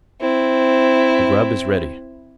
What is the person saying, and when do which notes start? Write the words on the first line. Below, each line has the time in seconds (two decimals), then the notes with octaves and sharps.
The grub is ready.
0.20 C4 E4